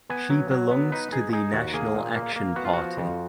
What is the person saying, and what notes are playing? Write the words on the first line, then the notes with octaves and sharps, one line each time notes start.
She belongs to the National Action Party.
B3 G#5
F#3
F#3
B3
D#4 B4
D#4 G#4
D#4 G#4
D#2 F#4
A#3 G#4
A#2
A#3
A#3
B3 F#4
F4
F3 F#4
F2